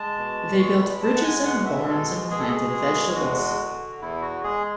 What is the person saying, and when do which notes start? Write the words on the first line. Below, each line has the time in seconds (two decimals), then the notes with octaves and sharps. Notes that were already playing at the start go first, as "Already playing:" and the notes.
They built bridges and barns and planted vegetables.
Already playing: G#3 A5
0.18 B2
0.60 G#3 C#6
0.82 B5
1.02 G#3 A5
1.16 F#5
1.24 G#5
1.45 B2 F#5
1.66 E5
1.88 G#3 A4
2.30 B2 G#4
2.40 A4
2.48 G#4
2.73 G#3
3.15 E2 F#4
3.59 D3
4.01 E2 E4
4.22 F#4
4.43 G#3 G#4